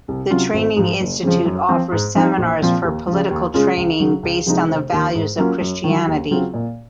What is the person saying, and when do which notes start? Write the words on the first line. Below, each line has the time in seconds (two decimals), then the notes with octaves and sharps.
The Training Institute offers seminars for political training based on the values of Christianity.
0.08 C2
0.30 C3 F#3 C#4 F4
0.53 G#1
0.76 G#2 F3
1.00 F#1
1.23 F2 C#3 F3
1.45 F#2
1.69 F3 C4
1.92 G#2
2.15 F3 C4 D#4
2.38 A#1
2.61 A#2 F3 C4 F4
2.84 D#2
3.07 C#3 F3
3.30 D#2
3.54 C#3 G#3 C#4 F4
3.77 C#2
4.00 C#3 F#3
4.23 C#2
4.46 C3 F3 G#3 D#4
4.69 F1
4.92 D#2 D#3
5.15 G#2
5.38 F#3 A#3 C#4 F4
5.60 F#2
5.84 D#3
5.89 F#3
6.08 D#2
6.30 C#3 F#3 C4 F4
6.54 A#2